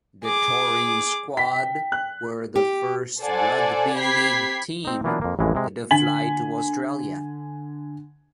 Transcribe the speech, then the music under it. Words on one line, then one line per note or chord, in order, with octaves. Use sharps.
The touring squad were the first rugby league team to fly to Australia.
G#4 D6
G5 B6
F#6
G4
A4 C5 D5 F#5 G#5
C4 G4 B5 G#6 B6 C7
C4 D#4
E3 F#3 A#3 B3 D4 F4
F2 A#3
A1 F2 E3 G#3
C3 G#3
D3 G#5 B6 F#7